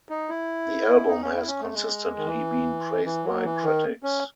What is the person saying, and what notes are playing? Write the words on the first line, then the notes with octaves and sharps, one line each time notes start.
The album has consistently been praised by critics.
D#4
E4
D#4
C#4
E4
C#4
A3
G#3
D#3
E3
E3
F#3
E3
D#3
C#4